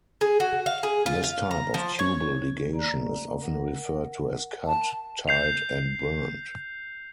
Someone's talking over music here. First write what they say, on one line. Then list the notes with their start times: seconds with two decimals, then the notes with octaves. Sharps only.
This type of tubal ligation is often referred to as cut, tied, and burned.
0.21 G#4
0.40 F#4
0.66 F5
0.83 G#4
1.06 F4
1.24 F5
1.51 A#5
1.74 F3
1.99 C#5
2.73 A#3 D5 A#5
3.42 A#4 F#5
4.67 A5
5.28 G6 C7 F7